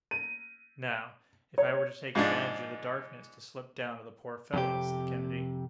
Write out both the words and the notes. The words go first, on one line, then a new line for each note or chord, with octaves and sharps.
"Now, if I were to take advantage of the darkness to slip down to the poor fellow?" said Kennedy.
D#7
C#5
G#2 F3 G#3 D4
F2 C3 G4